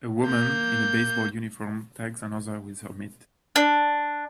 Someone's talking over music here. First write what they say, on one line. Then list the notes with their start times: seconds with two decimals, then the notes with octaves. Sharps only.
A woman in a baseball uniform tags another with her mitt.
0.24 A#3 G6
3.56 D4